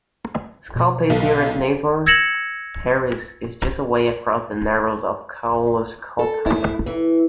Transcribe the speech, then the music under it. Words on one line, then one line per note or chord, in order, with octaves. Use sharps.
Scalpay's nearest neighbour, Harris, is just away across the narrows of Caolas Scalpaigh.
B2
B1 A4
E6 G#6 A#6 C#7 E7 F#7
A4
E4
E3